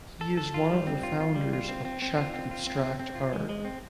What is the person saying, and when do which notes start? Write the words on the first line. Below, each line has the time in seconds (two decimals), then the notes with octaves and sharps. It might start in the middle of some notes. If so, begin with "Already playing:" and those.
He is one of the founders of Czech abstract art.
0.21 A4
0.37 A4
0.54 F4
0.71 G3
0.87 C4
1.03 F4
1.20 F4
1.36 G3
1.53 F4
1.68 C4
1.85 C4
2.02 C4
2.17 F4
2.34 C4
2.51 F4
2.67 C4
2.83 C4
2.99 C4
3.15 F4
3.33 G#3
3.49 G#3
3.65 C4